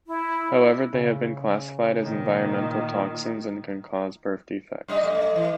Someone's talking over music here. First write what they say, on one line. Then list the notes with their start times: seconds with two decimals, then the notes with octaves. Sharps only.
However, they have been classified as environmental toxins and can cause birth defects.
0.07 E4
0.94 C#3
2.00 A#2 D#3
4.88 F#2 G3 D#5
5.02 F#2 A3
5.15 A3
5.36 E3